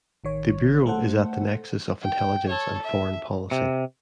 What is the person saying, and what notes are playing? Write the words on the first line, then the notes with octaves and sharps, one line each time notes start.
The Bureau is at the nexus of intelligence and foreign policy.
A1 D#3 C#5
A3 A4 C5 F#5
G5
A4 C#5
E5
C3